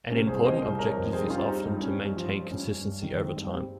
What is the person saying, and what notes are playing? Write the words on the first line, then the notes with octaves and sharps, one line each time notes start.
An important objective is often to maintain consistency over time.
C3 C#4
C2 G#4 C5
G3 C5 D#5
C2
C3 A#4 C#5
F2
G3 G#4 C5
D#4
G3 C#4 F4
G3 C4 D#4
G2
G3 C#4
G2
F3
G2
G2 C#4
G2
G2
D#3
G#3 C4
G2
G3 C4